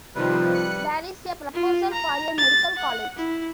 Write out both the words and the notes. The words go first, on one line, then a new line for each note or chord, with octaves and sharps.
There is a proposal for a Medical College.
C3 D#3 F3 G3 F4 B4
F#6 C#7
F4
A#5
A6
F#5
E4